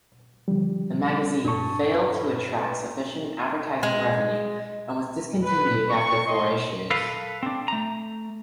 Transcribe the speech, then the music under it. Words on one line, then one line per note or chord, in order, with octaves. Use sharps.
The magazine failed to attract sufficient advertising revenue and was discontinued after four issues.
D3 F3 G3
G2 D4 A5 C#6
B4
G#3
B4
C#6
D#5 C6
A4 B4 F5
C4 D4
A3 A#5